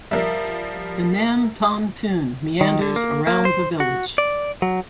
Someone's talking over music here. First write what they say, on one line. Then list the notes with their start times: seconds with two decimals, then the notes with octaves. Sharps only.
The Nam Ton Tun meanders around the village.
0.11 F3 G3 A#4 E5
2.61 D#3
2.81 D3
2.96 A#3
3.27 A#3
3.45 C5
3.80 F#4
4.18 D5
4.62 F#3